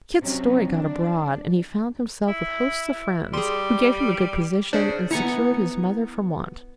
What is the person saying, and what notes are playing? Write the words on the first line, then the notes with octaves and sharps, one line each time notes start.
Kit's story got abroad and he found himself with hosts of friends, who gave him a good position and secured his mother from want.
C3 F#3 C4 C#4 D#4
D4
E4
G3 G#4 C6
C#3 D4 C5 D5
B3 E4 G#5 A#5 C#7